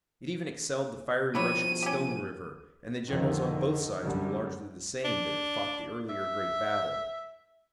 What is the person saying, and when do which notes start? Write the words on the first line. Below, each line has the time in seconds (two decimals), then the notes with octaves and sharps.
It even excelled the fiery rush at Stone River, and the generals on both sides were largely the same that had fought the earlier great battle.
1.35 B2 F3 E4 G4 C#5 D#7
1.82 C#4 G4
3.07 F2 D3 D#3
4.02 F#2 D3 G3
5.05 D4
6.09 E5